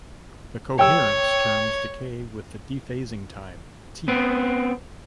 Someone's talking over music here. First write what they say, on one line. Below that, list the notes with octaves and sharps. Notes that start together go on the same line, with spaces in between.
The coherence terms decay with the dephasing time, "T".
C#5 G5 E6
B3 C4